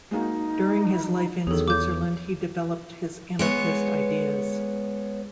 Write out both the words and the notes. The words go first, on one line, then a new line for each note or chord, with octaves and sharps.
During his life in Switzerland, he developed his anarchist ideas.
G#3 A#3 D#4 F#4
E2 D#3 F#3 G#4 A4 C#5
F4 C#5 D6 G6
G#3 B3 C#5